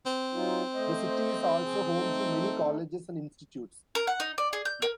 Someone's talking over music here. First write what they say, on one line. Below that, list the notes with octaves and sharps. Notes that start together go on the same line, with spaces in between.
The city is also home to many colleges and institutes.
C4
F#3 D#4 F4
A3 C5 D#5
G#4
A3 D#4 A4
A#4
F#5
D#4
D5
G#4
G6
A#4